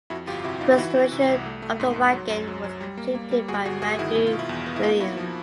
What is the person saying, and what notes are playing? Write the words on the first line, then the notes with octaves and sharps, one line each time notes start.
Restoration of the wagon was completed by Matthew Williams.
F2 E4 F#4
G1 F4 G4
C3 E4 F#4
G1 D#4 F4
G4
E3 E4 F#4
E3
C3
C2
A3
A3
G#2
G#2
F#3
F#2
F#3
F#3
G3
A#3
A#3
G3
G1 F#4 G#4
G1 F#4 G#4
G1 F#4 G#4
D#3 E4 F#4
B2 E4
F4
B2
E4
E2
B3
E4
A#3 D#4 F4
A#3 E4 F#4
F3